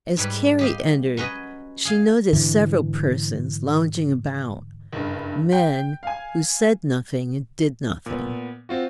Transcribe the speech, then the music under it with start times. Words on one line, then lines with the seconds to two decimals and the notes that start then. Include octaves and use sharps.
As Carrie entered she noticed several persons lounging about--men, who said nothing and did nothing.
0.17 G#2 G3 B4
0.59 G4 D#5 F5
1.17 F#3 C#4 B4 D#5
1.85 G#4 F5
2.33 G#2 D3 E3
4.93 F#1 G2
5.53 G5
6.03 F5 G#5
8.06 A#2 B3
8.69 C4 F4 F#4